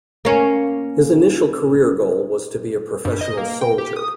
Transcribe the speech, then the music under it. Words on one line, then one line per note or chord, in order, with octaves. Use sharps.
His initial career goal was to be a professional soldier.
A#3 C#4
G2
D#5
A#3
G5
G4
D#6